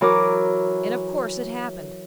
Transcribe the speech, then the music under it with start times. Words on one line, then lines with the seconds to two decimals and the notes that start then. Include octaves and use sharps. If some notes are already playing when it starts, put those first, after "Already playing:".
And of course it happened!
0.01 E3 F#3 A#4 D6